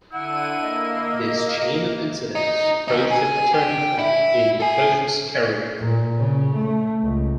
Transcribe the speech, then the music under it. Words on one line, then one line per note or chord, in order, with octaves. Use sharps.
This chain of incidents proved to be a turning point in Mpofu's career.
D3 E4 F#5 D#7
A#3 D#5
D#4
A#3 D#4
G#4
G4
E4 E5
A4 G#5
A#2
C#3
A3
C#2